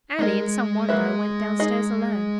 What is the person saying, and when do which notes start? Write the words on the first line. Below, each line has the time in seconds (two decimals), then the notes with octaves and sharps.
Annie, in some wonder, went downstairs alone.
0.19 G#3 D#4 A#4 D#5
0.89 F#3 A#3 E4 B4 E5
1.59 D#4 G#4 D#5